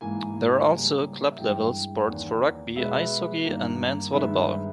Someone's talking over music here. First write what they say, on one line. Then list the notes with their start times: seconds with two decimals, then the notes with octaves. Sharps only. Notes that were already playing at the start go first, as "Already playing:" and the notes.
There are also club-level sports for rugby, ice hockey, and men's volleyball.
0.01 G#2 E3 A#3 G#5
0.70 C#3 G3 A#3
1.31 E5
1.38 G2 E3 G#3 G5
2.07 E2 D#3 A#3
2.76 B2 G#3 B3 E5
3.45 G2 D#3 A#3
4.13 G2 D#3 G#3 B3 E5